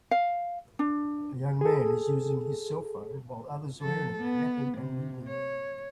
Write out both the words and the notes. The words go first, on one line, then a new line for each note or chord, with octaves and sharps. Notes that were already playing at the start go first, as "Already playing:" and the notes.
A young man is using his cellphone while others around him are napping and reading.
F5
D4
G#4 A4
F3 A4
B3
C3
C#5